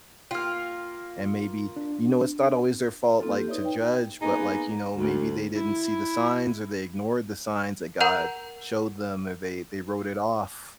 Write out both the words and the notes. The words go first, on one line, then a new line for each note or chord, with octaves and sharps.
and maybe you know, it's not always their fault, like, to judge, but, like, you know, maybe they didn't see the signs, or they ignored the signs that God showed them, or they they wrote it off
A#3 F4 G5 F6
D4
A#3 C4 D#4 F4 A4
G4
D#4 B4 C#5 D5 E5
G5
A#3 B3 D#4 G#4 B4
D2
E4
A#4 F#5 A#5 G6 F7